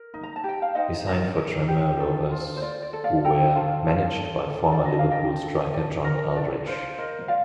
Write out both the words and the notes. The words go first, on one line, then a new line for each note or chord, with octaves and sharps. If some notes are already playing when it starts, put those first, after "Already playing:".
He signed for Tranmere Rovers who were managed by former Liverpool striker John Aldridge.
Already playing: A#4
D#4
A#5
A5
G4
G5
F5
D#4 C5 D#5
A#4
D#4
G4
A4
F4
C5
F4 D5
D5
A4
D5 F5
A4 G5 A#5
F4 F5 A5
F4 F5 A5
A4
A4
D5
D4 D#5
F5
D4 D#5 G5
A4
D4
A#4
D4 D5
F4 C5
A#4 C5 D#5
F4 D5 F5